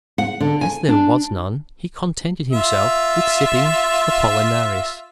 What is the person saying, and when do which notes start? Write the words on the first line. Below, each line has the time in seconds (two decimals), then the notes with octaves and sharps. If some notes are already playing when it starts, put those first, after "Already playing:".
As there was none, he contented himself with sipping Apollinaris.
0.18 F#5
0.40 D3
0.61 G#5
0.89 D4
2.52 F4 E5